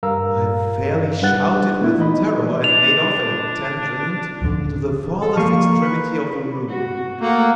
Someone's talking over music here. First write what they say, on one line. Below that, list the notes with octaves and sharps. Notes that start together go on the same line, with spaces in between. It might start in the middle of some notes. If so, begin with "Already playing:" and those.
I fairly shouted with terror, and made off, at a tangent, into the farthest extremity of the room.
G2 A#4 F5 A#5 E6
G3 D4 B4 F#5 F#6 A6
A3 B3 E4
E3 D#4 D#5 B5
D4 F7
D1 F2 D3
A4
F3 A#3 C#6
B4
F#4
A3 A#3 F#5